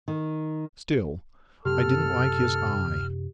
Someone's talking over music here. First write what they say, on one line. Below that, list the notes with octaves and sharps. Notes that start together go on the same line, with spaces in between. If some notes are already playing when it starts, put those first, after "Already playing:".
Still, I didn't like his eye.'
D#3
F#2 C3 C4 G4 A4 F6